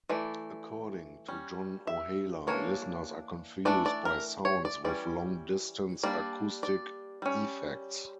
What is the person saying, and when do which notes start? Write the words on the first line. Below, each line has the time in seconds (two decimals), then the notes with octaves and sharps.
According to John Ohala, listeners are confused by sounds with long-distance acoustic effects.
0.09 E3 A3 D5
1.28 G3 C#4
1.87 E5
2.47 E3 A#3 D4 C#5
3.65 E3 A3 D4 D5
3.86 D5
4.05 A#4
4.45 C#5
4.65 D5
4.84 E3 G3 C#4 D5
6.03 G3 A#3 D4 D5
6.63 D5
7.22 G3 C#4